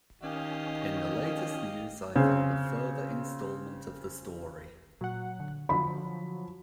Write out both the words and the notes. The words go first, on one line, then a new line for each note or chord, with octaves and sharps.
In the latest news I found a further instalment of the story.
D#3 C#4 G4 D#5 F5
C#3 C4
A#2 F#3 F#5
D3
D3 F3 F#3 B5